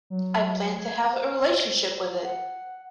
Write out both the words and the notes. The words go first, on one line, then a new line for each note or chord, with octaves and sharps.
I plan to have a relationship with it.
F#3
G#6
C5
C5
F#5